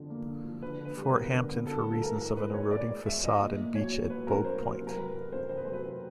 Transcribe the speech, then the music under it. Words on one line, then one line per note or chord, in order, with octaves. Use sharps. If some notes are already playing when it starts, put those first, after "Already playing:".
Fort Hampton for reasons of an eroding facade and beach at Bogue Point.
Already playing: F2 D3 F3
A#3
D3
F3
D3 B4
D3 B4
G3
B4
B3 A#4
D3
B3
D3 A4
G2
A4
A2 A#4
A2 A#4
A2 B4
A2 C#5
G#3 D5
G#3
G#3 E5
F3 D#5
A#2
A#3
F#3 C#5
A#2
F#3 B4
C#4 A#4
A#3 C5
F#3
C3
A#4
F#3 B4
F2
C3 C5
F2 C5
B4
F#3 C5
B4
C3